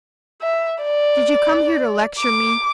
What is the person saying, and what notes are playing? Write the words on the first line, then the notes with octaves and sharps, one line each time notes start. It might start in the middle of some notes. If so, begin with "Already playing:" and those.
Did you come here to lecture me?
E5
D5
D6